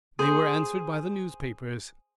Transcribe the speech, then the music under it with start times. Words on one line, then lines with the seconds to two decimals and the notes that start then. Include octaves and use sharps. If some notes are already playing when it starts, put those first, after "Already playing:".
They were answered by the newspapers.
0.19 G#4 C5